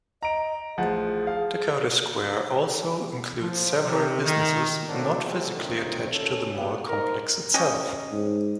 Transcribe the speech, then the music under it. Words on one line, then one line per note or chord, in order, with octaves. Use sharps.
Dakota Square also includes several businesses not physically attached to the mall complex itself.
D#5 A#5 D7
A1 F3 G#4 F#5
F5
F3
C3
D#3
A2 A#3 C4 D4 F#4
F3 G3 G#3 C4 F#4 A4
B1 G2 C3 D#3 A#3 F4
D#2 C#4 A4
G#3 A#3 B3 D4 F#4 G4
D#4 A#4 C5
C#4 G4 D#5
G#2